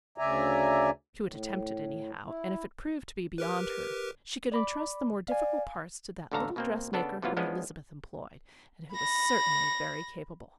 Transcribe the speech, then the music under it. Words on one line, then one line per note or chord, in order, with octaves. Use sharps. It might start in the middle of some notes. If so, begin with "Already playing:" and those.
She would attempt it, anyhow, and if it proved to be beyond her, she could entrust the more difficult parts to that little dressmaker whom Elizabeth employed, and who was certainly very capable.
D2 C#3 D5 E5 G#5 A#5
A2
E4
G4 A#4 B4
D5 B5 D6
D5 F5 G#5
A1 D2 D3 A4 F5 A#5
B2 A#3 C4
C#3 B3 D4 A4
C3 E3 F#3 A#3 B3 F4
F3 G#3 B3 C#4 D4 D#5
B5 A#6